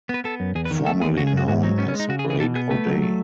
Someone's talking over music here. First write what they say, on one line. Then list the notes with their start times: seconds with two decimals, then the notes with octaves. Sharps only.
Formerly known as Break O'Day.
0.09 B3 B4
0.24 B3 A4
0.40 F#2
0.55 E2 G#4
0.65 B4
0.71 D#3
0.86 A3 A4
1.01 E2 G#4
1.17 C#3 F#4
1.27 G#4
1.32 F#2 F#4
1.48 G#2 F#4
1.63 F#3 D#4
1.78 B3 C#4
1.88 C#4
1.94 G#3
2.00 D#4
2.09 C#3 F#4
2.19 G#4
2.25 E3
2.30 G#4
2.40 B2 A4
2.55 B3 G#4
2.70 A3 B4
2.86 F#3
3.02 A3